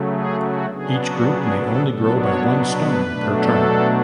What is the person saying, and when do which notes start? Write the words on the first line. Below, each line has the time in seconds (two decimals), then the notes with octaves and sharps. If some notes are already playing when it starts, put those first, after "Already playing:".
Each group may only grow by one stone per turn.
Already playing: C#3 F#3 A3
0.10 G#4
0.40 F#4
0.69 C#3 F#3 B3 D4 G#4
0.99 F#4
1.27 G#4
1.57 A4
1.86 B2 F#3 B3 D4 A4
2.16 C#5
2.75 B4
3.05 B2 F#3 A3 D4
3.34 A4